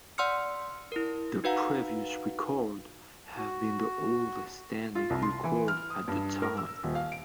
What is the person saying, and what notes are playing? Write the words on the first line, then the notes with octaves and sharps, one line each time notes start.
The previous record had been the oldest standing record at the time.
D5 F#5 C6 E6 F6 C#7
E4 A#4
D#4 F#4 B4 F5 F#5 A#5
F#4
F4
C2
C6
E3
F6
D#6
G2
A#4
E6
D#1
F5
D7